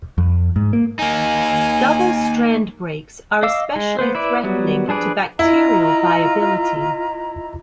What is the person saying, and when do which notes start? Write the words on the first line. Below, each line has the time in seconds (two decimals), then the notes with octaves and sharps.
Double-strand breaks are especially threatening to bacterial viability.
0.18 F2
0.56 G#2
0.73 A#3
0.99 A#3 D#4 G#5
3.43 D#5 F5 D6 E6
3.76 G#3
3.99 A#3 B3 B4 C5
4.15 E4 B4 D5
4.44 F#3 G3 B3
4.88 F3 D4 G#4 B4 D5
5.39 E4 F4 D#5 A#5